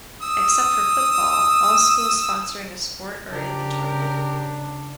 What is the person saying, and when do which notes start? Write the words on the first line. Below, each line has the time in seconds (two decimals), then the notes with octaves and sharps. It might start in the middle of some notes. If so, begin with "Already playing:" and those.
Except for football, all schools sponsoring a sport are in the tournament.
0.22 D#6 E6
3.32 C#3 D4 G4 A#4